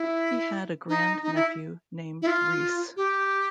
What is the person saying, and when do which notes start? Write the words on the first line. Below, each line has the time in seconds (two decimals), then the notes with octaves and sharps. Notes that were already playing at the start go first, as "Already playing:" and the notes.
He had a grand nephew named reece.
Already playing: E4
0.89 D#4
1.23 D#4
1.35 E4
2.22 E4
2.27 F4
2.97 G4